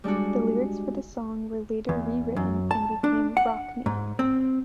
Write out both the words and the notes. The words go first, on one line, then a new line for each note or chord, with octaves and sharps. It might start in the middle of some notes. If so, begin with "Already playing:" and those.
The lyrics for the song were later re-written and became "Rock Me".
G3 G#3 D4 F#4
E2
F#2
A5
D4
F#5
G#2
C4